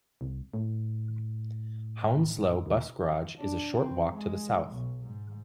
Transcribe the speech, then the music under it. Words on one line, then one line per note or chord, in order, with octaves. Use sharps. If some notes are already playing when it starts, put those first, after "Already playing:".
Hounslow bus garage is a short walk to the south.
C2
A2
D#2
D4
C4
G#3
B1
G#2